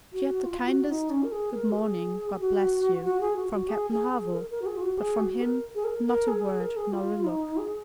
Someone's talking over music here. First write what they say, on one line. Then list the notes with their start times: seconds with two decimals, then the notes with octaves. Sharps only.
She had the kindest "Good morning, God bless you!" from Captain Harville, but from him not a word, nor a look!
0.13 F#4
0.46 F4
0.67 F#4
0.88 D#4
1.10 C#4
1.23 A#4
1.32 G#4
1.53 A#4
1.71 F#4
1.75 G#4
2.40 F#4
3.04 F#4
3.21 G#4
3.36 F#4
3.53 F#4
3.69 G#4
3.91 G#4
4.12 G#4
4.34 A#4
4.50 A#4
4.62 F#4
4.66 G#4
4.76 F4
4.82 F#4
4.99 G#4
5.20 F#4
5.41 A#4
5.75 G#4
5.85 A#4
6.06 A#4
6.28 G#4
6.44 G#4
6.60 A#4
6.76 G#4
6.92 F4
7.25 D#4
7.57 G#4